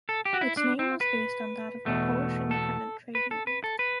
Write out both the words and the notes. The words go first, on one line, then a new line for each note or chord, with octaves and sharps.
Its name was based on that of the Polish independent trade union.
A4
G4
F#4
E4
D4
C4
B4
E2 B2 A3
A4
B4
A4
B4
A4
B4